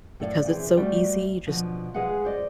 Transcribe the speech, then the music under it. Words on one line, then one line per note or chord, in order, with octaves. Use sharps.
because it's so easy; you just
A2 A4 D5 F5
C3 E3 C4 G#4 B4
G3 A3 F#4 C5 D5
B2 D3 F3
G#3 G#4 B4 F5 F#5
C5 D5 D#5